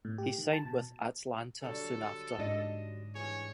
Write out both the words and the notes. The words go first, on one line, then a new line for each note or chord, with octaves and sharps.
He signed with Atlanta soon after.
A2
G4
D#3
A5
B2
D3 F#3 G3 A4
G#2 D4 D#5
G2 E3 G#4 C#5